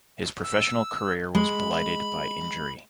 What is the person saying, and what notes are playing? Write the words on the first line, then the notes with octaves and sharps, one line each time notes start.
His professional career was blighted by injury.
E6
G#3 B5